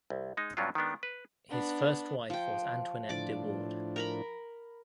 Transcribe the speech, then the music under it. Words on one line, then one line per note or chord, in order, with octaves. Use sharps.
His first wife was Antoinette de Bord.
C2
G#3 D#4
G2 B2 F#3 C#4 D4 F4
D#3 G#3 B3 D4
B4
B3 D4
F3 G5
A2 F3 D4 D5 D6
A#4 A#5 B5